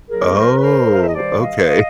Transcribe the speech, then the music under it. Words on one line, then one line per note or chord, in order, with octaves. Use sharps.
Oh, okay.
A2 F#3 A#3 G#4 A#4
A#4 C5
B4
A#4 C5
F5
E5
D#5
G2 D#3 G3 C5 D5
D#5 F5
D#5 F5